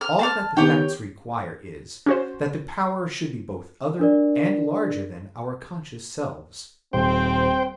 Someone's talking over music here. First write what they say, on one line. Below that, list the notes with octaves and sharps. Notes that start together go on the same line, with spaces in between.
All that the facts require is that the power should be both other and larger than our conscious selves.
F6
A5 C6 F6
D#3 B3 G4 C#5 G5
C#4 F#4 C5
D4 A#4 D5
D#1 C4 C5 G5